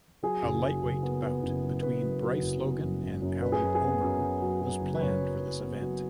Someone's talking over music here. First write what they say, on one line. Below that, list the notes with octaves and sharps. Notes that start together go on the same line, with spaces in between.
A lightweight bout between Bryce Logan and Alan Omer was planned for this event.
F#3 G#4
F#1
F#3
F#1
B3
B3
F#1
F#3
F#2 B4
F#3
F#3
F#1
B3
F#2
F#1
F#2
F#3 B4
G#4
F#2
G#4
B3
F#2
F#3
F#3
F#3
F#1
B4
F#2 C#5
F#3
F#3
B3
F#3